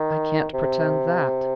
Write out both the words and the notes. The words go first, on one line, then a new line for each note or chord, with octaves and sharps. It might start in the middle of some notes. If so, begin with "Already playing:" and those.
"I can't pretend that."
Already playing: D#3
C3